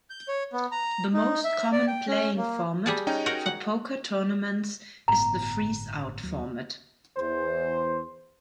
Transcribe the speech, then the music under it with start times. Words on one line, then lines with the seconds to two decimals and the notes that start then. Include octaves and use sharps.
The most common playing format for poker tournaments is the "freezeout" format.
0.10 G6
0.28 C#5
0.53 B3
0.72 A#5
1.14 D#4
1.44 E5
1.73 D5
1.88 G5
2.08 C#4
2.37 A#3
2.86 G3 G#4 A5
3.07 C#4 D#4 G5
3.26 F#4 A#4
3.46 F#5
5.08 G1 A2 B3 A#5
6.23 D#2 F#3
7.17 E2 C5